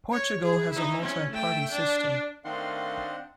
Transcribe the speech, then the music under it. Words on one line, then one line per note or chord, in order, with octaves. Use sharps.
Portugal has a multi-party system.
C#5
G#4
D#4 E4
C#4
A3 G5
D4
D#3 A3 C4 D4 D#5 F5 F#5 C6